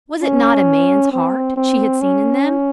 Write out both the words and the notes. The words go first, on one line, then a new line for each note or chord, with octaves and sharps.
Was it not a man's heart she had seen in them?
C#4
C4
C4
C#4